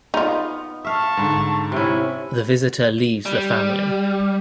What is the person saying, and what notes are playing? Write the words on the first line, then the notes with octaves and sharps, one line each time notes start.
The visitor leaves the family.
B3 D#4 F4
E5 F5 A5 C#6
G#2 D3
C3 C#4 E4
G3